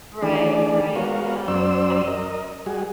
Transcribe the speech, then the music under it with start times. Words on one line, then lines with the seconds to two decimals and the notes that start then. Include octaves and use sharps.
Right, right, yeah, I
0.22 D#3 E3 A3 D4 G#4 D5
0.96 G#3 B3 F#4 A#4 C#5 F5
1.48 F#2 F#3 C#4 C5 D5 E6
2.08 A#4 D#5
2.66 G3 F#4 G#4